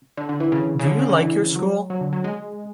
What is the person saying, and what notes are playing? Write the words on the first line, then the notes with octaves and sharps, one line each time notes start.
Do you like your school?
D3
D3
E3
C#3
C#3
D3
C#3
D3
E3
F#3
F#3
D3
F#3
G#3